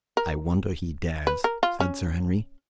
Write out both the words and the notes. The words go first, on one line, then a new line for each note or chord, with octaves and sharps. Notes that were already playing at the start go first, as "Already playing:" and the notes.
"I wonder he dares," said Sir Henry.
A#4
B4
A#4
F4
C#4